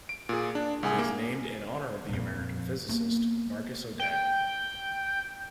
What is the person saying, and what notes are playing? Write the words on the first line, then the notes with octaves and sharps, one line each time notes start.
It is named in honour of the American physicist Marcus O'Day.
D7
A#2 G#4
D4
C2 G#4 G#5
A#3
F2 A#2
A#3 B3
G5